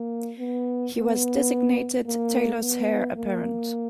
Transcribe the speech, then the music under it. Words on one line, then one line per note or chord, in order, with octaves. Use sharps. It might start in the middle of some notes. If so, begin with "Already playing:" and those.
He was designated Taylor's heir-apparent.
Already playing: A#3
B3
B3
A#3
B3
A#3